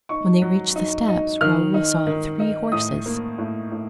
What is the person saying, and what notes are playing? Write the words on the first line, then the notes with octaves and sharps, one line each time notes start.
When they reached the steps Raoul saw three horses.
D#4 C#6
F#3
D#4
D#4
D#3 F6
D#4
D#3
D#4
A2 D#6
A#3
A2
A2